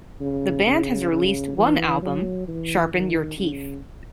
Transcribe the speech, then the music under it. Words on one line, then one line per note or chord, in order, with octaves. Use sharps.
The band has released one album, "Sharpen Your Teeth".
C#3
C#3
C#3
E3
F#3
E3
D#3
C#3